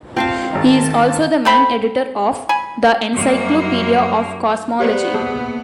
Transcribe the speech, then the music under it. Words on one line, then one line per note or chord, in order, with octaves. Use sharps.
He is also the main editor of "The Encyclopedia of Cosmology".
C4 F4 C5 F5 G5 A5
G#1 D#3 D#4 A5
A3 C4 B5
G#5 B5
F#2 G3 A#3
B3 G4 C5 D5
A#3 G#4